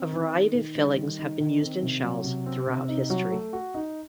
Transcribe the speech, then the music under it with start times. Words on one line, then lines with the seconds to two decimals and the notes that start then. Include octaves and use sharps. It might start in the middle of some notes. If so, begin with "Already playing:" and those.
A variety of fillings have been used in shells throughout history.
Already playing: C4
0.13 D#3
0.33 D#4
0.55 D#3
0.75 G3
0.97 D#3
1.19 D#4
1.40 D#3
1.62 C4
1.82 C3
2.04 F#3
2.24 C3
2.46 C4
2.67 C3
2.88 D#4
3.10 F#3
3.31 A3
3.53 F#4
3.74 D#4